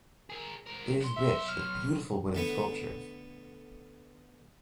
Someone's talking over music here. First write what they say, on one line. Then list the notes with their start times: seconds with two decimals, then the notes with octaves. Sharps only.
It is rich with beautiful wooden sculptures.
0.30 G#4 A#4
0.66 G#2 A#4
1.00 B1 C6
1.17 E5
1.48 F6
2.35 D3 A3 B3